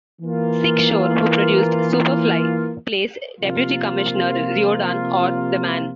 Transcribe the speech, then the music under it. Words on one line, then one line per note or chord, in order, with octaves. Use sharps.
Sig Shore, who produced "Super Fly", plays Deputy Commissioner Riordan, or "The Man".
E3 A#3 F4
C3 F3 A#3 F4